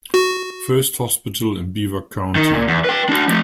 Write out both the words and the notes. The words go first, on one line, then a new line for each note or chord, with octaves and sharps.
First hospital in Beaver County.
F#4
D#3
A#2
E2
B4 G5
D4 F#4
F3 A3